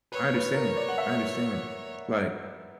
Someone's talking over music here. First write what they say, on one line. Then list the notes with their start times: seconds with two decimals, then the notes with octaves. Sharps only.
I understand, I understand. Like
0.12 B4 C#5
0.33 B4
0.54 A#4
0.77 D5
0.88 F#5
0.98 E5